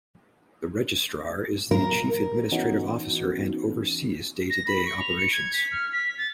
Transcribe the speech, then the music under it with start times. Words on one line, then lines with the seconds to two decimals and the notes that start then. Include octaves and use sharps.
The Registrar is the chief administrative officer and oversees day-to-day operations.
1.71 A#4
2.52 E3 B3 C#4 D#4 F#4
4.50 A#6
4.67 B5
4.86 C#6
5.00 F7
5.17 C#7
5.32 G#6
5.53 B6
5.71 F6
5.92 B6
6.18 A6